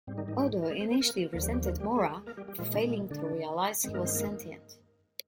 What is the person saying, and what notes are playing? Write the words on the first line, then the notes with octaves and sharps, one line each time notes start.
Odo initially resented Mora for failing to realize he was sentient.
G#2 G3 C4
D#3 D#4
D#3 D#4
G3 G4
A#4
G#3 G#4
C4 C5
C4 C5
A#3 A#4
D#2 D3 F3 A#3 A#4
G3 G4
G3 G4
A#3 A#4
G3 G4
G#3 G#4
A#3 A#4
G3 G4
G3 G4
A#2 F3 G#3 F4
D3 D4
A#3
D3 D4
G2 D#3 G#3 C4
A#3 A#4
C4 C5
A#3 A#4